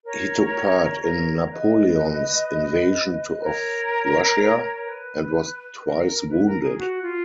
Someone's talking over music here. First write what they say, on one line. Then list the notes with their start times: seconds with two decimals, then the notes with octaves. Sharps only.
He took part in Napoleon's invasion of Russia, and was twice wounded.
0.05 A#4 C#5
1.01 A#4 C#5
1.49 B4 D#5
3.42 A#4 C#5
4.86 B4
5.81 A#4
6.29 B4
6.46 A#4
6.61 G#4
6.78 F#4
7.02 F4